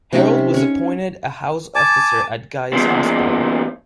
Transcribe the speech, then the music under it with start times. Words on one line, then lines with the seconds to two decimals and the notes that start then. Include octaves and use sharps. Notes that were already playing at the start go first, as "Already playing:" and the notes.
Harold was appointed a House Officer at Guy's Hospital.
0.13 C3 C#4 D#4 E5
0.54 C#4 C#5
1.75 G#5 A5 D6
2.73 E2 A#2